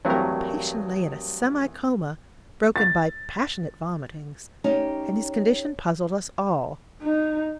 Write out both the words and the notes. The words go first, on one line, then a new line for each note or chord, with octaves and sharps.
The patient lay in a semi-coma broken by passionate vomitings, and his condition puzzled us all.
E2 G2 F#3 A3 C4 E4 A#4 F5
A6
C#4 D#4 G4
D#4